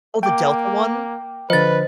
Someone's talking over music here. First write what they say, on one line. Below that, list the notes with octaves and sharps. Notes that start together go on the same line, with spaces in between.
Oh, the Delta one?
A#3 G5 D6
D3 F3 B4 C5 D#5 A6